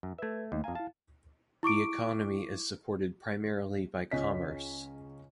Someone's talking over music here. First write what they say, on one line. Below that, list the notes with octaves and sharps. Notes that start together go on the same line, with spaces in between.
The economy is supported primarily by commerce.
F#2
A3 B4 E5 G#6
D#2 A3 D#4 D#5
F2 F5 G#5 A#5
E4 F5 A5
E4 C#6 D6 D7
C#2 C#4 D#5 G#5 B6